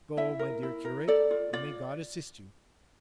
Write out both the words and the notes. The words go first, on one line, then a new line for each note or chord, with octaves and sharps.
"Go, my dear curate, and may God assist you!"
E4 E5
A#4
E4
A#4
A4 D5
F4
F4 D5